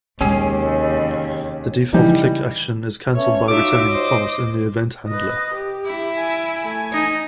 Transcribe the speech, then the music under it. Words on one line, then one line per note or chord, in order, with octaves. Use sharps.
The default click action is cancelled by returning false in the event handler.
D#2 C3 G#3 C#4 G4 G#4
C#3 E3 G3 D#4
C#4 A4 B4 C#5 E5
D#4 F4 F#4 C#5 E5 D6
C5 D#5
B4 D#5
G4
E4
G#5
A3 G#5
D#4